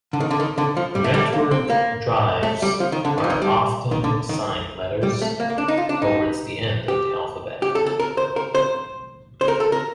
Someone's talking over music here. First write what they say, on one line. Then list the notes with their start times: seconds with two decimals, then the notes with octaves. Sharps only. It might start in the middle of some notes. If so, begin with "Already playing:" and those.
Network drives are often assigned letters towards the end of the alphabet.
0.13 D3
0.20 D#3
0.30 D3
0.40 D#3
0.58 D3
0.77 F3
0.95 G3
1.04 A3
1.14 G3
1.23 A3
1.33 A#3
1.51 C4
1.70 A#3
2.43 A3
2.62 G3
2.80 F3
2.92 D#3
3.05 D3
3.18 D#3
3.24 F3
3.30 D#3
3.42 G3
3.91 D#3
4.04 D3
4.29 D#3
5.03 G3
5.22 A3
5.40 A#3
5.50 A#3
5.58 D4
5.68 D#4
5.77 F4
5.89 D4
6.02 D#4
6.88 G4
7.62 G4
7.75 A4
7.86 A4
7.99 A#4
8.17 C5
8.36 A#4
8.55 C5
9.41 C5
9.48 A#4
9.60 A4
9.72 A#4